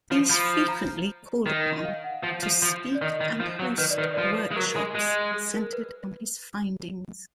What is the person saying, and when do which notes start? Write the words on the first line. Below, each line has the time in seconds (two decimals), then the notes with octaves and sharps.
He is frequently called upon to speak and host workshops centered on his findings.
0.11 F3
0.30 F3 B5
0.69 A#5
1.46 D#3
1.77 D#5
1.85 F5
2.04 F#5
2.23 F3
2.43 F3
2.62 F3
2.95 D5
3.01 D#3 D#5
3.21 D#3
3.40 F3
3.59 F#3
3.78 D#3 B4
3.91 D5
3.98 D#3
4.02 B4
4.14 F3 D5
4.25 B4
4.51 G#3
4.56 F#3 A#4
4.76 G#3
4.95 G#3
5.34 G#4
5.54 A#4
5.73 B4